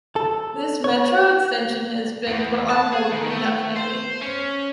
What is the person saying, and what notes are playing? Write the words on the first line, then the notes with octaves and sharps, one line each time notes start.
This Metro extension has been put on hold indefinitely.
A4
C#5
E2
A5
G#4
D#3
A3
C5
C#4